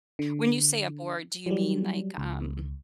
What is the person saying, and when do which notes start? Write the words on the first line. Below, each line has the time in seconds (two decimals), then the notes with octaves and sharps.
When you say a board, do you mean like, um,
0.19 D3
1.46 F#3 G3
2.18 C#2